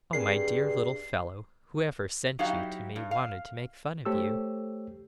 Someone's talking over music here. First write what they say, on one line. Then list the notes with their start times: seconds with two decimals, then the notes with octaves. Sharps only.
Oh, my dear little fellow, whoever sent you to me wanted to make fun of you.'
0.13 G2 C4 G#4 A#4 C7
2.39 F#3 D#4 E4 F#4 G4 F5
2.96 G2
3.11 F5
4.05 A3 G4 A4 C5 C#5 E6